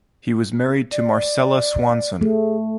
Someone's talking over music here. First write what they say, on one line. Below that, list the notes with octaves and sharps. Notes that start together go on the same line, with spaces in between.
He was married to Marcella Swanson.
D5
A3 G#4